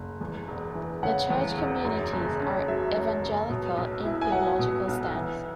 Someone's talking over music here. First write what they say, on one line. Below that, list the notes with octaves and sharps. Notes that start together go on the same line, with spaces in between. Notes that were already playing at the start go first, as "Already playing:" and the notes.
The church communities are evangelical in theological stance.
Already playing: F#1
E2
E1
E3
C#3 F#5
E2
E1
F#2
F#1
C#4
F#3 E5
F#2
F#1
B2
B1
E4
G#5
F#3 F#5
B2
B1
E3